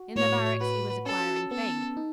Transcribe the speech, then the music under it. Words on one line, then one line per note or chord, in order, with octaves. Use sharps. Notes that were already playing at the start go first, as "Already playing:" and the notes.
In the barracks he was acquiring fame.
Already playing: F#4
A2 C#5
F#4 B4
C#4 A4
B3 A4
D#4